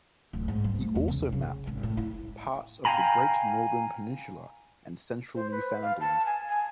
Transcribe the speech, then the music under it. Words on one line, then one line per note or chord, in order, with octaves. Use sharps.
He also mapped parts of the Great Northern Peninsula and central Newfoundland.
D1
G#2
G2
A3
E2
C#3
C#3
G#1
A2
E4
F5 G5 G#5 A#5 B5
C5
B4
F5
A5
G#5
G#5